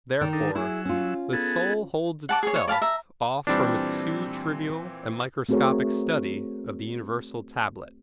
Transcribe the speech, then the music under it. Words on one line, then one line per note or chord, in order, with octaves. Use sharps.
Therefore the soul holds itself off from a too trivial and microscopic study of the universal tablet.
D#3 D5
D4 D#4 A4
F#3 E4 G#4 E6
C#4 F4
B3 G#4 A4
F#5 A5 D6
G#4 C#5
C#5
D5 F5 A5 B5
E5 A#5
A#2 E3 G3 C4 D4
A3 C4 F#4 G#4 A#4 C#5